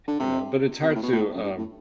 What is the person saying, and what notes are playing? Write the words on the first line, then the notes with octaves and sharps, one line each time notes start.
you know, but it's hard to, um,
D3
C3
C3
B2
A2
B2
A2
F#2
G2
A2